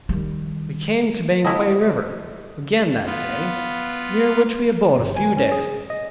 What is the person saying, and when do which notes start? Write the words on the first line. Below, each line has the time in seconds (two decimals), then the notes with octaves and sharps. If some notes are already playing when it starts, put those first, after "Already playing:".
We came to Banquang river again that day, near which we abode a few days.
0.09 D#3 G3
1.45 F2 C#3 G#3 E4 F#4 A4 D#5
3.06 B3 F4
4.99 G1
5.16 G#5
5.37 C#4
5.52 G#4
5.90 D#5